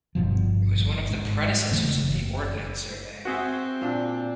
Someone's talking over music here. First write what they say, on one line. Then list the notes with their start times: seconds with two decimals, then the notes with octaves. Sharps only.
It was one of the predecessors of the Ordnance Survey.
0.15 G1 G2 B2 F3
0.79 G1
1.11 G#2
1.71 E1 C#3 E3 A3
2.02 F#1
3.25 C4 F#4 G#4 E5
3.82 A#2 D4